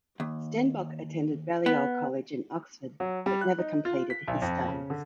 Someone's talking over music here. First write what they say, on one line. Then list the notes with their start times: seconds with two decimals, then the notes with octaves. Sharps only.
Stenbock attended Balliol College in Oxford but never completed his studies.
0.20 D#2
1.66 B3
3.00 F#3
3.26 G3
3.41 F#6
3.58 D#4
3.85 F4
4.10 B6
4.28 B1
4.42 F2
4.68 C#3
4.90 D3